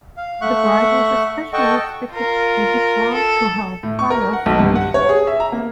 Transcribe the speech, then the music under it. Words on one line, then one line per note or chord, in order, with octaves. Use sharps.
The bride was especially expected to defer to her father's wishes.
F5
A3 E5 F#5 C#6 F#6
A4 D#5 F#5 G5 A5 C#6
F4 A#4
A4
A2
C#6
A#4
F#5
B1
G2
F#5
C#5
G#4
E5
A#5
A#3